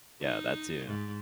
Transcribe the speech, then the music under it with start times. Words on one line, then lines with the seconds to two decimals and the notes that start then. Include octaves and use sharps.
Yeah, that too.
0.22 D#4
0.86 G#2